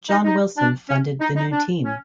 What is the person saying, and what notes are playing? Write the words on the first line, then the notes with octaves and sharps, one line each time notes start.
John Wilson funded the new team.
D#4
D#4
D4
C#4
D#4
D#4
D4
C#4